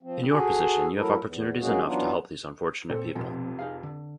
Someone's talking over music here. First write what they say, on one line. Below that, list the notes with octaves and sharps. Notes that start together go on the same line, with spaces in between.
In your position you have opportunities enough to help these unfortunate people.
F3 C4
F#4 G#4 A4 G#5
F#3 A3 E4 A4 A#4
E2
F#3 G#3 A#3 C#4 F#4 G#4
E3 F#3 B3 D4 D#4 F4
A#2 C4 A4
F1 F2 B2 F3
D#4 G#4 F5
D3